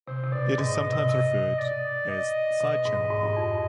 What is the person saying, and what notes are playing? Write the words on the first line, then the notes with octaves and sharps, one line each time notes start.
It is sometimes referred as side channel pump.
C3 C5
C3
B2 D5
G#2 D#5
B2
C3
C3
D5
D#5
B2
G#2
G#2
G2
F2